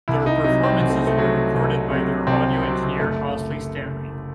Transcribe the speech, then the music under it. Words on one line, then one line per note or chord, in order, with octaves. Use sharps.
Their performances were recorded by their audio engineer Owsley Stanley.
C2 E4
D#4
C3 F#3 D#4
C4
C2 C4
A3
A3
C3 F#3
C2
C3 F#3
C2 C4
C3
F#3
F#1 A3